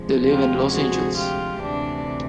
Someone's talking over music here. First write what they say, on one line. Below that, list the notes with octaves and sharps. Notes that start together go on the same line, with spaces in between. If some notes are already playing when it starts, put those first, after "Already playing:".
They live in Los Angeles.
Already playing: D2 C3 F3 G#3
F4 G4
F#4 G#4
F4 G4
D2 C3 E3 D4